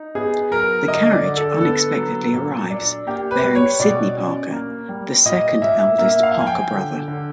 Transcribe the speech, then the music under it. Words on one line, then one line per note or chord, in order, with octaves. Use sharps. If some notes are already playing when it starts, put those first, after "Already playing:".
A carriage unexpectedly arrives bearing Sidney Parker, the second eldest Parker brother.
Already playing: D#4
B3 G#4
F#3 A#4
D3 D#5
D5
D3
A4
B3 A4
F#3
A#2
D4
A#3 G4
B4
G3
C#5
B2 D5
C#4
A#3
G3
A#2 D#5
A#2 E5
A#3 E5
F5
F3
G#5
G5
D3
D3